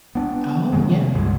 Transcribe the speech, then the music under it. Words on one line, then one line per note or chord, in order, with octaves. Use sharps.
Oh, yeah.
B3 D4
C3 D#3 G#3 B3
C#2 G2 B2 G#3